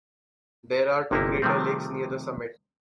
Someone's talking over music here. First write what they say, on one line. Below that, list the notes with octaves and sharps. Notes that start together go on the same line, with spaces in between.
There are two crater lakes near the summit.
G1 C3 A#3 D#4 E4
C3 D#3 F3 G3 A3 C4